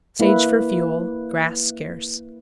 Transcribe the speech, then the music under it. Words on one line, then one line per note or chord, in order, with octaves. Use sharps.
Sage for fuel; grass scarce.
A#3 E4 B4